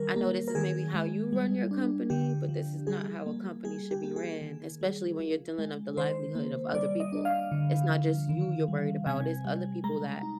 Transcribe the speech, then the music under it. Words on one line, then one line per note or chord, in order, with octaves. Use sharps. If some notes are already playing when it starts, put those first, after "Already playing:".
I know this is maybe how you run your company, but this is not how a company should be ran, especially when you're dealing with the livelihood of other people." It's not just you you're worried about, it's other people that
Already playing: D#3 G3 A#4
A#3
A#4
D#3 G#4
G#3
G3
D4
D3 G4
F3
G3 G#4
A#3
G3 G#4
G4
A#3
G#4
D#3
G3
F3
G#3
D#3 C5
A#3
G3 D5
D#5
D4
F5
D3
F3
D#3
G3
C3 G#5
G3
G#3 A#5
D#4